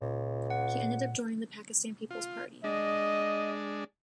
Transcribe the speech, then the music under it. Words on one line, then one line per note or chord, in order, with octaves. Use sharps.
He ended up joining the Pakistan Peoples Party.
C#2 A#2
F#5
F4
G#3 D4 D#5